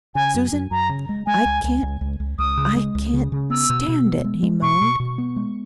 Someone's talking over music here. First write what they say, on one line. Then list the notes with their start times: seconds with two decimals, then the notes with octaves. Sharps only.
"Susan, I can't! I can't--stand it," he moaned.
0.15 C#3 G#5
0.34 F#2
0.53 F#2
0.71 F#2 A#5
0.89 C#3
1.09 G#3
1.26 G#3 G#5
1.46 C#2
1.64 C#2
1.83 C#2
2.01 C#2
2.20 C#2
2.38 C#2 D#6
2.57 C#3
2.76 G#3
2.95 C#2
3.13 C#3
3.32 C#3
3.50 B3 E6
3.70 B2
3.88 B2
4.06 B3
4.25 G#3
4.43 G#3
4.62 B2 C#6
4.81 B2
5.00 B2
5.18 B3
5.36 G#3